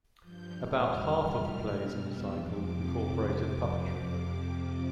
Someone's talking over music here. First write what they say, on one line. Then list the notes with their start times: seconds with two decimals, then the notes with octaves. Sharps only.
About half of the plays in the cycle incorporated puppetry.
0.20 G2 F3 G6
0.51 A2 G3 F6
0.81 E2 D3 G3
1.11 F2 C3 E3 G3 F6
1.42 A2 G3
1.71 B2 G3 F6
2.02 E2 B2 G3 E6
2.31 F2 C3 F3 D6